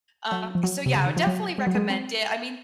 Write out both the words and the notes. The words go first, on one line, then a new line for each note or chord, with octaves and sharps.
Uh, so yeah, I would definitely recommend it. I mean,
F#3
F3
F#3
C3
C#3
D#3
F3
F#3
G#3
F#3
G#3
C4